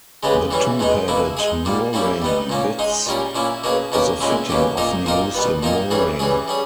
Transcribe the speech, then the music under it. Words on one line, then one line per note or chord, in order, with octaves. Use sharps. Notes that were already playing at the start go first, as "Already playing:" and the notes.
The two-headed mooring bitts is a fitting often-used in mooring.
C#3 G#3 B3 G4
E3 G3 C#4 E4
B2 G#3 D#4
B2 A#3 E4
G#3 D#4 G#4
A#2 G3 A#3
G3 A#3 C#4 E4 G4
G3 B3 D#4
A#2 A#3 C#4
G#3 D#4 G#4
A#2 G3 C#4 G4 A#4
A#2 A#3 C#4 E4
B2 A#3 C#4 G#4
B2 A#3 C#4 G4 A#4
A#2 G#3 C#4 E4
B2 A#3 C#4 G4
A#2 A#3 D#4 A#4
A#2 A#3 D#4 A#4
B2 G3 B3
A#2 A#3 D#4 A#4
E3 G3 C#4 G#4
E3 G3 C#4 G#4
G3 C#4 G#4